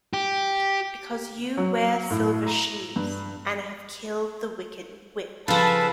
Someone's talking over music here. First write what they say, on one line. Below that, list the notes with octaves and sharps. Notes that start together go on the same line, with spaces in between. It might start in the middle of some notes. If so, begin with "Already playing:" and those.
Because you wear silver shoes and have killed the wicked witch.
G4
F#3
A2
A#5
G2
C#3 F3 A4 B4 F5 A5 B5